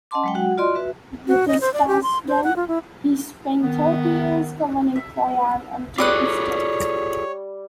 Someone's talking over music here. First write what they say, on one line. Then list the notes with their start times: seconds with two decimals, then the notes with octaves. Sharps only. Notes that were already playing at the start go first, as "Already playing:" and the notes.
With his task done, he spent thirty years governing Poyang until his death.
0.11 C#4 D#5 F#5 A5 C6 D6
0.24 F#3 G#3 G5
0.35 F#4 F#5
0.58 F4 F#4 D5 D#5 C6
0.75 F#4 B4 E5
1.28 F#4
1.48 D#5
1.61 C5
1.74 D5
1.88 G4
2.03 C6
2.28 C5
2.44 F#5
2.56 F4
2.68 E4
3.60 D#3 B3
4.96 E5
5.98 G3 F4 G#4 A4 C#5 D6 D#6 F#6